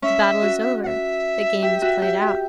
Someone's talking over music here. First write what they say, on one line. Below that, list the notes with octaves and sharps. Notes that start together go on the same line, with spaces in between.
"The battle is over--the game is played out."
C#4 E5
F#4
F#5
E5
G4
F#4
G4
G4